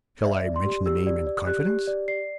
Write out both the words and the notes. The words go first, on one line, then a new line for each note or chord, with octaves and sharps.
Shall I mention the name in confidence?
D5 E5
D5
C6
G4
G4 E6
D5
D5
G4 F#6
G4
D5
D5 C7